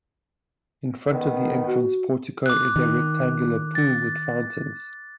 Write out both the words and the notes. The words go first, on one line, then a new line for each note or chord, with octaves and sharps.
In front of the entrance portico is a rectangular pool with fountains.
D#3 B3
F#4
D6 F#6
D#3
A6